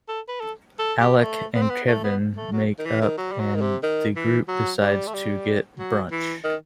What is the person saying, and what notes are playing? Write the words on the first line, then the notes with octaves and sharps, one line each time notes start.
Alec and Kevin make up and the group decides to get brunch.
A4
B4
A4
A4
G4
B3
A3
B3
C4
B3
A3
B3
A3
F#3
D#3
E3
D#3
F#3
G3
F#3
D#3
C3
D#3
E3
F#3
G3
A3
G3
F#3
E3
D#3